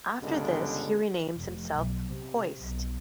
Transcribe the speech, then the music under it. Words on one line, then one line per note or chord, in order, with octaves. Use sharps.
After this, he renames himself Hoist.
C#2 G2 B2 D3
F1
B1
C3
B1